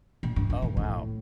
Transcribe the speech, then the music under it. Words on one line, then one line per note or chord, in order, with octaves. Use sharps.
Oh, wow.
A#2
G2
G2
A#2
A2